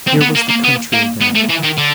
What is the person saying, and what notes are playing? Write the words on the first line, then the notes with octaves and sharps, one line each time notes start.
Here was the country again.
C4
B3
A#3
A#3
B3
A#3
B3
A3
E3
D#3
D3